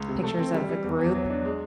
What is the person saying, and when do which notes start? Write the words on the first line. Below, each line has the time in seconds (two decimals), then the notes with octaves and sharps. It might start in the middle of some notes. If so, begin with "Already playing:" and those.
pictures of a group,
Already playing: C#2
0.08 C3
0.23 A3
0.39 C4
0.54 G3
0.69 G3
0.84 E2
0.99 E2
1.14 F#3
1.30 D4
1.45 G#3